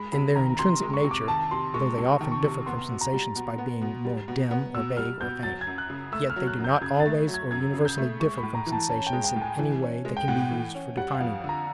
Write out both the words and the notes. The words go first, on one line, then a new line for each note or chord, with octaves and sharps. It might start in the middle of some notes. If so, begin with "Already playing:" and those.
In their intrinsic nature, though they often differ from sensations by being more dim or vague or faint, yet they do not always or universally differ from sensations in any way that can be used for defining them.
Already playing: G#3 B5
C3 B5
D#3 A#5
C3 C6
G#3
C#6
C3
D6
D#3 A5
C3 C6
G#3 C#6
C3 C#6
D#3
C#6
C3
B3 C6
B2
A#5
G3
B2
B3
B2
G3
B2
B3
B2 E6
G3 F6
B2 G6
F#3 A6
G#6
F#2
F#6
C#3
A3 E6
F6
F#3
F#6
F#2
G6
C#3 G#6
A6
A3
F#3
G#6
F#2 G#6
C#3
G6
A3
G#3 C#6
B5
A2
A#5
E3
A5
C#4 A5
G5
G#3
G5
A2
G#5
E3
C#4
G#3
G5
A2 F#5
E3
C#4
G3 F#5
F5
F2
D3
A#5